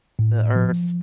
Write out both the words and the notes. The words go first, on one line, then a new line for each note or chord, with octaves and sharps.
the Earth's
A2
F3